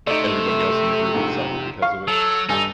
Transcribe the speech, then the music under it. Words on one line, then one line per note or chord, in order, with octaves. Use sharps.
everybody else in the group would suffer because of it.
C3 A3 D#4 D5
A#1 G#2
F5 C#6
F#3 A4
G2 D#4 A4 G#5